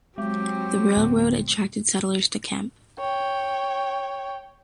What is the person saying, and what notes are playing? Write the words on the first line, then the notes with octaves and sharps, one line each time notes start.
The railroad attracted settlers to Kemp.
F#3 G#3 C4 G4
D1 B3
C#5 G5